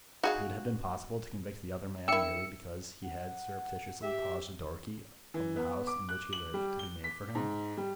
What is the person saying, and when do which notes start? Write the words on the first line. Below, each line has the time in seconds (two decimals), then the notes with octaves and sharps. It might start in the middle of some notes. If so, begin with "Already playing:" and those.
Could it have been possible to convict the other man, merely because he had surreptitiously caused a door-key of the house in which he lived to be made for him?
0.23 D#4 F#4 G#4 F5
2.08 D4 E4 A#4 E5 G5 E6 C#7
3.05 F#5
4.03 G4 E5
5.34 E3
5.56 B3
5.87 D6
6.09 F#6
6.33 F#7
6.54 G3
6.79 G7
7.04 B6
7.35 G#2
7.77 G3